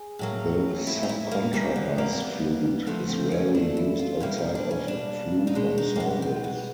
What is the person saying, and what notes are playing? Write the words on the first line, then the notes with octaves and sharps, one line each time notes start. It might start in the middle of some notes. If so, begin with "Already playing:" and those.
The subcontrabass flute is rarely used outside of flute ensembles.
Already playing: G#4
A2 F#3 A#3
E4
D#4
E4
A#3
F2 C#3 E3 G3 A#3
B3
A#3
C4
B3
F2 D3 F3 A3 B3
C4
C#4
D4
E4
F4
B2 G3 A#3 E4
D#4
D4
C#4
D4
D#4
B2 G#3 D4
D#4
A#3
B3
C4
B3